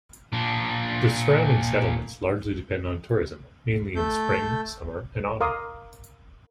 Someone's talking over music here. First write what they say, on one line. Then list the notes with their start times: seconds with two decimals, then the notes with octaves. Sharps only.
The surrounding settlements largely depend on tourism, mainly in spring, summer and autumn.
0.33 A#2 D4
3.96 A3 A4 G6
5.41 A#4 F5 C6 D6 D#6